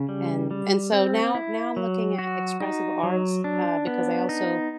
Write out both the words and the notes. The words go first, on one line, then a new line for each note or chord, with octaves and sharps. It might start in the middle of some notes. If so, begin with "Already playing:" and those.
and and so now now I'm looking at expressive arts, uh, because I also,
Already playing: C#3
G3
G3
C4
E4
F#3
F#4
D#4
F#3
D4
B3
D#4